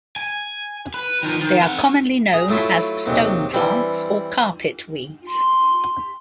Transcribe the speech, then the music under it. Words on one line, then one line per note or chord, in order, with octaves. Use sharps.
They are commonly known as stone plants or carpet weeds.
G#5
B4
D#3 F3
D#3
C4 F#5
G#4 A#5
F#3 A3 E4 F4 E5
D#2 C3 F#3 G#3
E3 G3 C4
C6